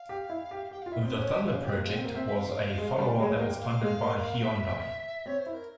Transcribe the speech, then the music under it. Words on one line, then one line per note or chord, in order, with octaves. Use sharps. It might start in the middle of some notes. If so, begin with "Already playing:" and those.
The "Thunder" project was a follow-on that was funded by Hyundai.
Already playing: F5
G4
E4
G4
G4 G5
F4 F5
E4 E5
C4
C#4 C5
C#5
E5
F5
C#4
G4
A#3
G#3
C4 G5
A#3 F5
C4 E5
E5
F5
G#3
G3
G#3 C#5
F5
A#3
G5
F5
G#3
A#3
E5
C4 C#5
C5
E4
A#4